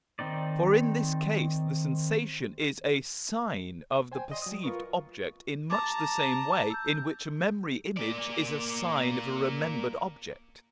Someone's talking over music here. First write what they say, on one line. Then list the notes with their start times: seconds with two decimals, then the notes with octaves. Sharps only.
For in this case the sensation is a SIGN of the perceived object in much the same way in which a memory-image is a sign of a remembered object.
0.19 D#3 C4 D#4 D5
4.12 C5 G5 G#5
4.30 D5 D#5 C6
4.42 F#3 D#6
4.64 F4 A#4 B4 C#6
5.70 A5 A#5 D6 A6
6.70 E6 G6
7.97 A#3 D5